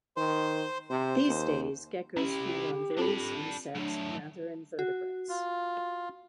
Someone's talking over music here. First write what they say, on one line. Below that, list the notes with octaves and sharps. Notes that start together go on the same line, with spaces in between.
These day geckos fed on various insects and other invertebrates.
D#3 C5 C6
C3 C5
D#2
C2 C#4 E4 G4
C4 D4 F4 A4 B5
F#3 A3 D4
F#4
F4